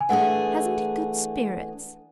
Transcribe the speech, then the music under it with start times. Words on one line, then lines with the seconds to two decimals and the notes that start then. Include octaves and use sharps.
"Hasn't he good spirits?"
0.01 G#5
0.09 E3 A3 D4 G#4 F#5